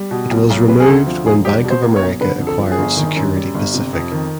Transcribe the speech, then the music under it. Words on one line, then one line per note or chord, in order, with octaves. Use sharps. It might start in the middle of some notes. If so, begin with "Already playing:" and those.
It was removed when Bank of America acquired Security Pacific.
Already playing: G3
B2
B1
B1
C3 B4
G#4
D2 A4
F3
E1 G#4
G3 G4
B2
C5
A#3
C#5
B1
D3 B4
F2
A4
F3
G#4
G1
D#3
F#2
G3
G1
C3
F2
D#3